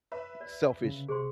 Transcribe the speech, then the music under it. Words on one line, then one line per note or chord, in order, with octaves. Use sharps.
eh, selfish,
B4 E5
D5
C#3
C2 C3 G#4 C5 C6 C#6